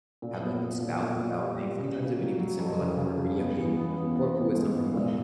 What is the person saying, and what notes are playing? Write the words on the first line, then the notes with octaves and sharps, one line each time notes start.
have, like, these spouts about things, sometimes it would even simple, like, over a video game or if it was something like,
A#2
B3
B3
A#2
A#2
A#2
G3
G3
C#3
C#3
F#3
F#3
F2
C#3
C#3
C#3
B3
E3
B3
B3
B3
B3
G#2
B3
A#2